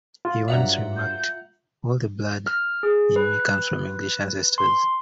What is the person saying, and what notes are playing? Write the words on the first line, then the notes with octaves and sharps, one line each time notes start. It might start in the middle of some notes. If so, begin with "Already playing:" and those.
He once remarked "all the blood in me comes from English ancestors".
F4
G2 F#3 D5 E5 F#5 A#5
G6
F6
G#4
B4
C6